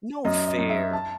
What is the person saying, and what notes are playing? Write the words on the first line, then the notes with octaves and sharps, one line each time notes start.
No fair.
F#2 D#5
D#5
F#2
E5
A5